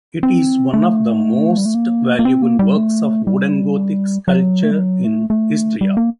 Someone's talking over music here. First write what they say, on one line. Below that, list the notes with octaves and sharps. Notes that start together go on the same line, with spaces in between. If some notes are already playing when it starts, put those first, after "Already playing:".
It is one of the most valuable works of wooden Gothic sculpture in Istria.
C4
A3
G3
A3
A#3
A#3
C4
A#3
G3
A3
G3
F#3
A3
G3
F#3
A3
A3
G3
A#3